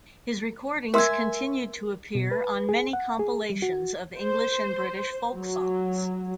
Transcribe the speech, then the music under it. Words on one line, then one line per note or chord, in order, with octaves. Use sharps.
His recordings continued to appear on many compilations of English and British folk songs.
A#4 E5 G#5 C6 E6
B2
B4
G#4
F#5
G#4
G3
F#4
C5
F#3